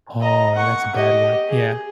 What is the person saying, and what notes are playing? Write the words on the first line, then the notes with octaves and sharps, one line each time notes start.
Oh, that's a bad one, yeah.
D#5 A#5
F#5 C#6
G4 D#5
G#4